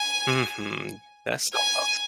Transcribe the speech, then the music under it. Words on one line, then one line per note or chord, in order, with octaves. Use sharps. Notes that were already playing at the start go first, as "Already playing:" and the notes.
Mhm. That's so awes
Already playing: G#5
G#5